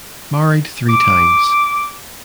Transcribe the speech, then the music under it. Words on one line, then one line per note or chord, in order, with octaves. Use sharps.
Married three times.
D6